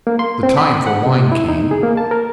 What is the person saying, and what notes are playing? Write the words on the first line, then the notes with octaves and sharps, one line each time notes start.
The time for wine came.
A#3
C6
C4
B5
F#5
C3
E4
D#4
G#4
A#3
A5
A#4